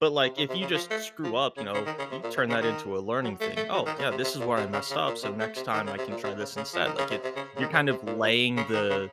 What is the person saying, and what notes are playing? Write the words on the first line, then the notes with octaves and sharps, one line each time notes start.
But, like, if you just screw up, you know, you turn that into a learning thing. Oh, yeah, this is where I messed up, so, next time I can try this instead. Like, it you're kind of laying the,
C3
C#3
C3
C#3
F3
A3
F3
C#3
C#3
D#3
C#3
C3
A#2
C3
C#3
D#3
F#3
A3
A3
F#3
D#3
C#3
C3
C3
A#2
C3
C#3
C#3
A#2
C3
A3
C3
D#3
C#3
C3
A#2
C3
C#3
C#3
F3
D#3
C#3
C3
C3
C#3
C#3
D#3
C#3
C3
A#2
A#2
C#3
D#3
C#3